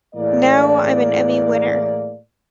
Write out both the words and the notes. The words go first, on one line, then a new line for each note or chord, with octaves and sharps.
Now I'm an Emmy winner.
A2 E3 A#3 G#4 D5